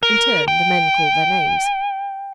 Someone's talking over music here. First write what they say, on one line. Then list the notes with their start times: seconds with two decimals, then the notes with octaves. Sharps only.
In turn the men called their names.
0.03 A#4
0.48 G5